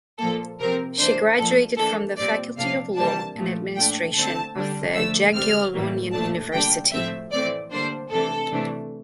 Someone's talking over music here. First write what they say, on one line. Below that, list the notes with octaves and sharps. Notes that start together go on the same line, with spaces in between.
She graduated from the Faculty of Law and Administration of the Jagiellonian University.
A#2 F3 A#3 A4
C3 F3 C4 A#4
E3 A#3 D4 C5
A#2 F3 A#3 A4
E3 A#3 D4 A4
A#2 G3 C4 D5
C3 F3 A#3 D4 F5
C3 E3 G3 A#3 D4 A5
A#2 F3 A3
A#2 A3 D4 G5
D3 A3 C4 A5
D3 G3 D4
D3 F3 A3 E6
D3 G3 C4 F6
A2 E3 G3 A#3
A#2 A3 D4 A5
D3 G3 A#3 D4 G5
A2 F3 A3 C4 E5
A2 E3 A3 C4 D5
D3 G3 A#3 D4 C5
C3 E3 A3 D4 A4
C3 E3 A3 D4